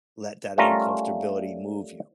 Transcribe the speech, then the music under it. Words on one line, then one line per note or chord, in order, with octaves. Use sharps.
let that un-comfortability move you.
G3 A3 C#4 F4 A#4 A#5